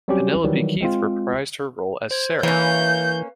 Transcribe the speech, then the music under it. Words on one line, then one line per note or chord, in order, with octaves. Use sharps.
Penelope Keith reprised her role as Sarah.
F#3 G3 C4 C#4 F#4 G4
D#3 E3 F#3 G3
G#3 C4 F4
C5 G#6
E3 A#3 C#4 B4 F5 G6